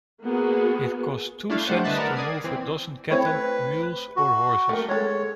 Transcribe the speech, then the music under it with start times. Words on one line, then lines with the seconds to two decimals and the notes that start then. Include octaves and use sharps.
It cost two cents to move a dozen cattle, mules or horses.
0.22 A#3 B3 F#4 G#4
1.49 A3 D4 E4 F5
1.65 G3 A3 D4 C5 F#5 F#6
1.84 D3 B4 D#5 E5 A5 F#6
1.97 A#4 D5 F#5 A5 B5
2.16 D5 D#6 G#6 C7
2.44 E3 C4
3.10 A3 C4 E4 C#5
3.25 B4
4.16 F#4
4.69 A3 A#3
4.89 G#3 A4 C#5